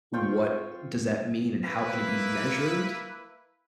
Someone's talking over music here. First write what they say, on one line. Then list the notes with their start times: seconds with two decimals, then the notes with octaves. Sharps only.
What does that mean and how can it be measured?
0.13 C4 F4 G5 C#6
1.65 A#3 E4 B4